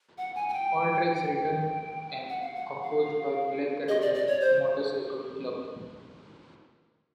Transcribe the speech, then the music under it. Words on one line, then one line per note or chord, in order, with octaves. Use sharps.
All tracks written and composed by Black Rebel Motorcycle Club.
F#5
G#5
G#5
G5
G5
F#5
F5
F#5
F5
D#5
D5
D5
C#5
C5